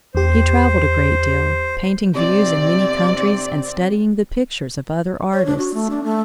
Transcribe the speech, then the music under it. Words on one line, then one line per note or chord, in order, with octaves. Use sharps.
He traveled a great deal, painting views in many countries and studying the pictures of other artists.
E2 G4 C5
C3 C4 D5
C#5
D4
F#4
A3
D4
A3